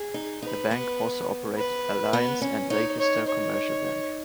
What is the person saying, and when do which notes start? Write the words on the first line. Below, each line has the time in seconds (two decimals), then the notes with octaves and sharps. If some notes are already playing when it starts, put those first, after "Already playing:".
The bank also operated Alliance and Leicester Commercial Bank.
Already playing: G#4
0.14 D#4
0.42 D#4 B4
0.71 B3
1.57 B4
2.13 B3
2.42 C#4
2.70 D#4 C#5
2.99 C#5
3.27 C#5